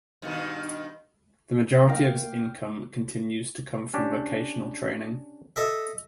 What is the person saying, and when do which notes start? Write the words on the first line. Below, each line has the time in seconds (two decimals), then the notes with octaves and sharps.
The majority of its income continues to come from vocational training.
0.22 G2 B2 D#3
1.87 A#3 D#4 F5 G5 A#5
1.99 A#3
3.94 C#4 D4 G4
5.56 A4 D#5 E5